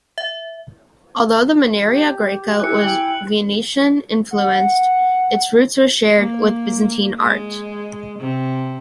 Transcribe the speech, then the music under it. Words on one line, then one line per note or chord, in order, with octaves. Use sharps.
Although the maniera greca was Venetian influenced its roots are shared with Byzantine art.
E5
G4
E4 G#5 F#6 C#7
E4 G5 G#5 F#7
F#5
A#3
G#3
C3